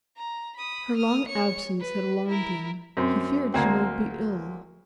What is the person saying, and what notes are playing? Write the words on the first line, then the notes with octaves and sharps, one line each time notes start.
Her long absence had alarmed him; he feared she might be ill.
A#5
B5 D#6
D#6 F6
C#5 C#7
B4
E4 A#4
F#2 C4
D2 F#3 A#3 C4